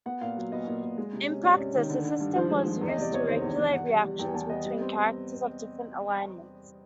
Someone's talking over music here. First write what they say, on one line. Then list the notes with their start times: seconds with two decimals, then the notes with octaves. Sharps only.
In practice the system was used to regulate reactions between characters of different alignments.
0.06 B3 F#5
0.21 A#2 F5
0.37 F#3
0.52 B3 D#5
0.67 A#2
0.83 A#2
0.98 G#3
1.13 C3
1.28 C#4
1.44 C3 D5
1.59 C#4
1.75 D#3
1.90 D3
2.05 D3
2.20 G2
2.36 F3 C5
2.50 G#3
2.66 F3
2.81 E2
2.88 D#5
2.97 C3 D5
3.12 E2 C#5
3.27 D#3 C5
3.42 E2
3.58 E2
3.73 E2 F#5
3.89 G3
4.04 G3
4.19 E2 G5
4.28 G#5
4.34 E2 A5
4.50 B3 D#5
4.65 G3
4.81 C4